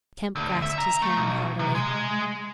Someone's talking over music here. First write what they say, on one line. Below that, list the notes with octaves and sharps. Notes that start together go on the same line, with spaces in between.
Kemp grasped his hand heartily.
D2
E5
A#5
A3
B1
C3
G#3